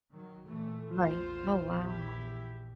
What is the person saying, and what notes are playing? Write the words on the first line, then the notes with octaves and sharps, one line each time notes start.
Right. Oh, wow.
D#3 F#3
A#2 E3 A3
A#1 E2 B2 F4 C5
E4 G4